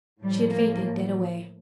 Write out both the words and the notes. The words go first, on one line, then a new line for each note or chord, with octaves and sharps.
She had fainted dead away.
A2 F3 G3
A#3